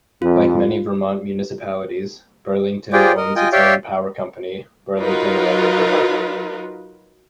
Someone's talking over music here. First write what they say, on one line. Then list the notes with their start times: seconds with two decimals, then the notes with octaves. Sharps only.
Like many Vermont municipalities, Burlington owns its own power company, Burlington Electric Department.
0.22 F2 F4
2.93 F4 G4 G#4 C5 D5 G5
3.17 A#4 D#5
3.36 F4 D#5 G5 G#5
3.53 G4 C#5 D5 E5 F5 G5
4.99 F#3 D#4 F4 A#4 B4